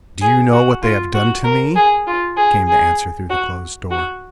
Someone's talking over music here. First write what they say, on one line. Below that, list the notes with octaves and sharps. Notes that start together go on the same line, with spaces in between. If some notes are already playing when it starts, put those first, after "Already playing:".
"Do you know what they have done to me?" came the answer through the closed door.
G#4
F#4
F4
F#4
A#4
G#4
F4
G#4
G#4
F#4
F#4